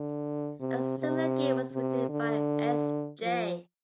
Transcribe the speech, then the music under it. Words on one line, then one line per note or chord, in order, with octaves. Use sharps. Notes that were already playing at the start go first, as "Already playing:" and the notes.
A similar game was written by S. J.
Already playing: D3
C3
C3
C3
D3
F3